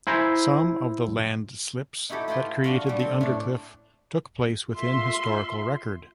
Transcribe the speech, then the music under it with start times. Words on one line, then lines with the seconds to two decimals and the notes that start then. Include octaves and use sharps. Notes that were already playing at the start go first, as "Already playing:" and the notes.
Some of the landslips that created the Undercliff took place within historical record.
0.07 E4 C5 G#5 A#5
2.09 D#4 E4 F#4 G4 A4
2.28 E4 F4 B4 G5 C6
2.64 D4 F#4 F5
2.87 A#2 G3
2.99 C4 A4
3.21 A2 D4
4.71 F4 E5 C6